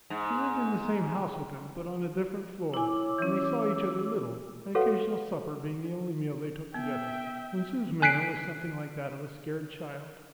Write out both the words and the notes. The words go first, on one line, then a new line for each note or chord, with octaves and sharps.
She lived in the same house with him, but on a different floor, and they saw each other little, an occasional supper being the only meal they took together, when Sue's manner was something like that of a scared child.
G#2
E4 C#5 G#5 D6 E6
E3 C#4
F#4 A4 B4 C#5 F5 F#5
B3 E5 G5
G#5 F#6 B6 C7 D7